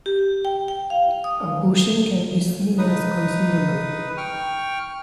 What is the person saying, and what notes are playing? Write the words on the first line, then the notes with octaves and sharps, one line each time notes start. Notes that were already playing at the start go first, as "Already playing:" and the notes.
A bushing can be seen as "consumable".
G4
G5
G5
F5
D#6
D#4 B4 D#6
G5 C#6 F6